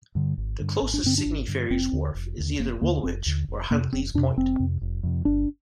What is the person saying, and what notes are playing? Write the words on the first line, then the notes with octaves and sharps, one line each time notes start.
The closest Sydney Ferries wharf is either Woolwich or Huntleys Point.
G2 D3
G#1
G2 D3
G#1
D4
G2 D3 C4
D4
G#1
G2 D3
F1 C4
D#2 D3
F1
D#2 D3
F1 A#3
D#2 D3 A#3
F1 C4
D#2 D3
F1
F2 C3 A#3
F1 C4
F2 C3 D4
F1 C4
F2 C3
F1
F2 C3
G1 D4